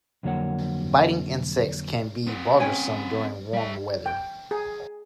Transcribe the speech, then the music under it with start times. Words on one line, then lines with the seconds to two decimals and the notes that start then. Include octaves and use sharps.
Biting insects can be bothersome during warm weather.
0.23 F2 D3 F#3 A#3 C#5 F#5
2.27 C4 B4
2.60 C#4 G5 G#5
3.54 G3 E5
4.06 G5
4.51 G#4